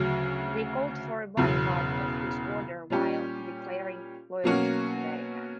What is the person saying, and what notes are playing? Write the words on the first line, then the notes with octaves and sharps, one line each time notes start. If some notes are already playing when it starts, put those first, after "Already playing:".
They called for a boycott of his order while declaring loyalty to Vatican.
Already playing: D2 C#3 F#3
E1 E2 C#3 F#3
A#2 G3 C#4 G4
B2 F#3 A#3 C#4 F#4